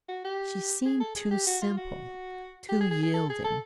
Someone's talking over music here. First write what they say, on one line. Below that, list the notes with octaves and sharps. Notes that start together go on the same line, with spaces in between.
She seemed too simple, too yielding.
F#4
G4
G#4
A4
G#4
G4
F#4
F4
F#4
G4
G#4
G#4
G#4
A4
G#4
A4